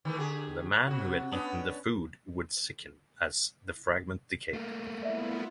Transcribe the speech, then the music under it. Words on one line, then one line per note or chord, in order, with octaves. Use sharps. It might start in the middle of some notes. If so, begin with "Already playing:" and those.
The man who had eaten the food would sicken as the fragment decayed.
D#3 E3 A3
D3 G4 G#4
C3 F#4
B3 C#4 D4
A3 A#3
B3 E4 F4 D5 E5